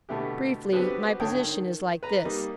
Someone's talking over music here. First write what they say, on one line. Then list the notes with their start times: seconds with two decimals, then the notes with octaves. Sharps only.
Briefly, my position is like this.
0.09 B2 D3 A3 B3 E4 G4
0.73 B3 C4 D4 F#4 G4 B4
1.20 G#1 D3 C#5 G5 A5 D#6
1.41 D#3
2.03 B4 A#5
2.25 G3 A#3 D#4